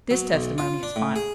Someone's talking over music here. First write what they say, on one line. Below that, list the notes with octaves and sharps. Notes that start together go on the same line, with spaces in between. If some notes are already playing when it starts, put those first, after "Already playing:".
This testimony is final.
F#3
B1
F4
D4
A2
G#4